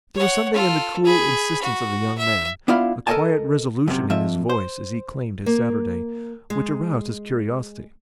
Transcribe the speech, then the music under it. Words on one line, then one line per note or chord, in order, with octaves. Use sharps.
There was something in the cool insistence of the young man, a quiet resolution in his voice as he claimed his Saturday, which aroused his curiosity.
C#5 F#5
F4 A4
G#4 B5
F#4
E5
B3 D4 E4 F4 F5 B5
A4 A#4 C#5 D#5 G#5 A5
F#2 C3
F2 E5
C5
A#3
G#3